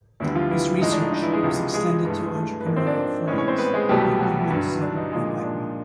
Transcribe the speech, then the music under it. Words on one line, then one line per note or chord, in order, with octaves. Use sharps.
This research was extended to entrepreneurial firms by Gudmundsson and Lechner.
D2 D3 E3 G3 E4
F3 F4
E3 E4
A2 F3 G#3 D#4
D4
D#4
D#4
E3 E4
G#3 G#4
C#2 C3 F3
G#3 G#4
G2 E3 A3
A3 A4
B4
G#2 F3 G#3 A#3 A#4
C4 C5
D4 D5
A2 E3 G#3 C#4 C#5
C#4 C#5
C4 C5
B3 B4
G#3 G#4
C2 B2 F#3 G3 A3 G4
F#3 F#4
E3 E4
G2 D3 F#3
D4
D#4
A#2 F3 G#3 D#4
D4